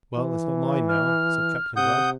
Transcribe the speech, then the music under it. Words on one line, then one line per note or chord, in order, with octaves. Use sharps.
"Well, it's not mine, now," said Captain Blood.
E3
F6
C3 F#5 D#6 G6